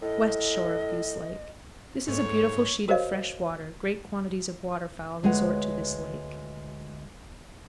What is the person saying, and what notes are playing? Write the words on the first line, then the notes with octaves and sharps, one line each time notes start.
West shore of Goose Lake.--This is a beautiful sheet of fresh water; great quantities of water-fowl resort to this lake.
A2 D#5
G#2 A3 B3 C#5
F#4 A#4 C5 C#5 D#5 F5
D2 G#3 B4 C#5 F#5